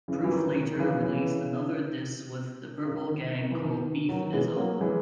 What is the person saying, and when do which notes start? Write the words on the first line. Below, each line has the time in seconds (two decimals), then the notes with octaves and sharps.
Proof later released another diss with The Purple Gang called "Beef Is Ova".
0.08 C#3 E3
0.24 E3
0.32 D#3
0.55 D#3
0.73 D#3
0.79 C#3 E3
1.03 C#3 E3
2.85 C#3
2.91 D#3
3.38 D#3
3.51 E3
3.62 D#3
4.09 D#3 F#3
4.33 E3 G#3
4.56 F#3 A#3
4.80 E3 G#3